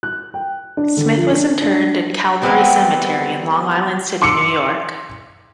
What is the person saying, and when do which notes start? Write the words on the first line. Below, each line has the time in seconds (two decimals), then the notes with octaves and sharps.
Smith was interred in Calvary Cemetery, in Long Island City, New York.
0.03 F#6
0.34 G5
0.77 D4
0.97 D3
1.17 F3
1.30 D4
1.62 D4
2.42 E3 F#3 G3 B3 C4 E4
4.22 C6 D6 E6 C#7